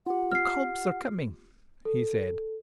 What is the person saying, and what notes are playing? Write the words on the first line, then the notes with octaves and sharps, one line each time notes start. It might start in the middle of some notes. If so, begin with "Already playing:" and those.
'The cobs are coming!' he said.
F4 G4 F#5
F6 C7
A4